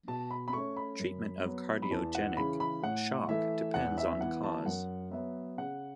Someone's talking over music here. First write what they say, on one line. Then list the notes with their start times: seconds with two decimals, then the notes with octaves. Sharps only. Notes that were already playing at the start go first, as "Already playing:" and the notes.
Treatment of cardiogenic shock depends on the cause.
0.08 B2 A5
0.31 B5
0.48 B5
0.53 A3 C#4 C#6
0.77 B5
1.00 F#2
1.45 F#3 B3
1.82 B5
1.91 E2 A5
2.15 F#5
2.37 C#3 E3 B5
2.60 B5
2.83 A2 F#5
3.29 E3 A3 E5
3.74 E2 F#5
3.98 E5
4.21 E3 B3 F#5
4.43 A5
4.66 F#2 F#5
5.12 F#3 B3 E5
5.57 C#3 F#5